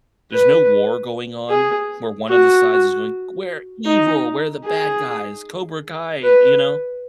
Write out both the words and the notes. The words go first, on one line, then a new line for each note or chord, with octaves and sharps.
there's no war going on, where one of the sides is going, "We're evil. We're the bad guys. Cobra Kai." You know?
B4
G#4
F#4
D#4
G#4
B4